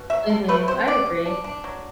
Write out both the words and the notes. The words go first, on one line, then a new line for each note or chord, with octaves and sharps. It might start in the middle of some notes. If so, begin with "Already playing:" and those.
Mhm. I agree.
Already playing: B2
F#3 E5
D3 A4
A3 B4
F#3 C5
B2 D5
B2
D4
D4
F#3